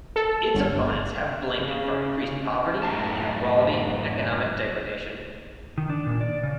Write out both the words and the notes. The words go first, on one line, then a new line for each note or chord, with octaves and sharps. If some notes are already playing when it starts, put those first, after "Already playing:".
Its opponents have blamed it for increased poverty, inequality and economic degradation.
A4
G1
C#3
F#2 A2 D#4 A5
D#3
D4
A#2
D5
C#3